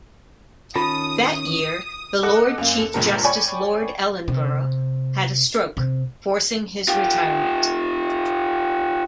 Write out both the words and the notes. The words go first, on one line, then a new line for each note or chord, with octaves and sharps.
That year, the Lord Chief Justice Lord Ellenborough had a stroke, forcing his retirement.
D#3 C#4 F4 A5 D#6
A4 D#5 F#5 D6 F#6
F#2 A#3
A4
G1 C#2 G2 A#2 G#3 A#4
C#5 D5 G5 G#5 B5 C#6
C3
C3
F4 G4